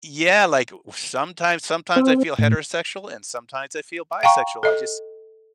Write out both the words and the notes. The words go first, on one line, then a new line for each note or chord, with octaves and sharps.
Yeah, like, "W sometimes sometimes I feel heterosexual, and sometimes I feel bisexual, I just"
C4
A2
F5 G5 A#5 C#6
A4 D#5